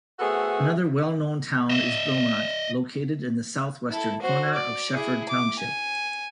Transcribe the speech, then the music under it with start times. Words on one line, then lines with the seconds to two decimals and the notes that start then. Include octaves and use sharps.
Another well known town is Bromont, located in the southwestern corner of Shefford Township.
0.19 A3 B3 C4 F#4 G#4 A4
1.70 D#5 E5
3.91 E4 A4
4.21 F#4 C5
4.54 D5
4.95 E4 G#4
5.29 D6
5.59 G#5